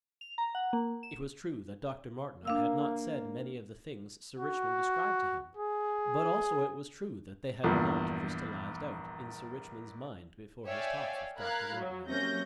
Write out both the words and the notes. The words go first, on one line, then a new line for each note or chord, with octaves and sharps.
It was true that Dr. Martineau had not said many of the things Sir Richmond ascribed to him, but also it was true that they had not crystallized out in Sir Richmond's mind before his talks with Dr. Martineau.
F7
A#5
F#5
A#3
E7
A#3 D4 F5 E6
F#4
G#4
A#1 E2 G2
C#5 D5 E5 F5 G5 G#5
A#4 F5 A#5 B5 F#6 G#6
F#3
C3 F#3 A#3 C#4 G6 A#6